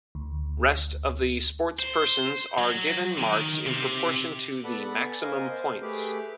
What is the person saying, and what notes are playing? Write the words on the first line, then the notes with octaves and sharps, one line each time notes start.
Rest of the sportspersons are given marks in proportion to the maximum points.
D2
C5
F#3
D#3
C3
B3 A4 D5 F#5 B5
G#5 A5
A#4 C5 D#5 F5 G#5
C5
A3 G4 G#4 B4 D6